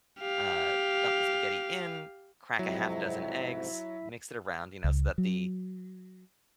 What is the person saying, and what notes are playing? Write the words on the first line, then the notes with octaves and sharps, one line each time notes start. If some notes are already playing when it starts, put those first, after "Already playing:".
uh, dump the spaghetti in, crack a half dozen eggs, mix it around, you know, so that the
G4 F5
F2 G#2 C3 F#3 E4 E5
C#2
F#3